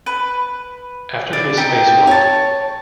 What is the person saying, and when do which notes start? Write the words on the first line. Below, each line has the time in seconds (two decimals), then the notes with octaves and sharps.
After his spaceflight.
0.06 B4
1.33 D4
1.57 C4 D#4 G4
2.07 C#5 A5